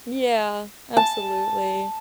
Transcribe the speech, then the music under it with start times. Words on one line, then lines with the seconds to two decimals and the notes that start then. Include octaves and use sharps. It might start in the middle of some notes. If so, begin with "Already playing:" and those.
Yeah, absolutely.
0.97 A5